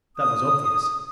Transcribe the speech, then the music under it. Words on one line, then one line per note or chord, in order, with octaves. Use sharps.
That was obvious.
D#6